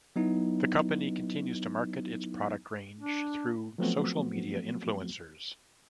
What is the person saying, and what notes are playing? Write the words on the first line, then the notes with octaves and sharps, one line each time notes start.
The company continues to market its product range through social media influencers.
F#3 B3 D#4 E4
D4
F3 F#3 A3 B3 C4 F#4